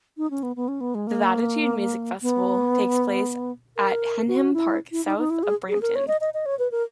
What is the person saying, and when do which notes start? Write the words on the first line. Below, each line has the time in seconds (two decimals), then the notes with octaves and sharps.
The Latitude music festival takes place at Henham Park south of Brampton.
0.17 D#4
0.30 C#4
0.43 B3
0.56 B3
0.68 C#4
0.81 B3
0.95 G#3
1.07 A#3
2.22 B3
3.77 A#4
4.28 F#4
4.54 E4
4.92 E4
5.05 D#4
5.18 D#4
5.30 E4
5.43 G#4
5.69 G#4
5.82 A#4
5.95 C#5
6.08 D#5
6.21 D#5
6.34 D#5
6.46 C#5
6.59 B4
6.71 A#4